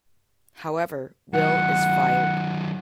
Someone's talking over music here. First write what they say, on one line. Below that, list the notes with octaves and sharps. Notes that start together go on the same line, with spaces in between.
However, Will is fired.
D#3 F#3 F#5